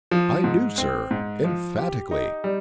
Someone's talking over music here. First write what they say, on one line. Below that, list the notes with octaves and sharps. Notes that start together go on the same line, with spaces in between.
"I do, sir, emphatically."
F3
G#2
C4
G#2
F3
G4
D#4
G3